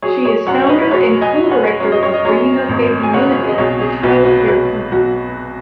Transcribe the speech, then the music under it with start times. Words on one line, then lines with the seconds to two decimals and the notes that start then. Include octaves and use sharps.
She is founder and co-director of Bringing up Baby Limited, a childcare company.
0.02 F#3 G#4 C#5
0.24 G#4 C#5
0.47 F#2 C#5 F#5
0.64 C#5
0.69 B4 D#5
0.81 B4
0.91 F#3 G#4 C#5
1.21 D#5 G#5
1.36 F#3
1.51 C#5 F#5
1.80 F#2 C#5
1.92 D#5
2.03 C#5
2.14 D#5
2.25 F#2 G#4 C#5
2.69 G#1
3.03 G#5
3.13 C#3 C#5 F#5
3.48 D#5
3.58 B1 G#4 C#5
3.81 G#4
4.03 B1 F#4 B4
4.25 F#4 B4
4.48 B1 F#4 B4
4.92 B1 F#4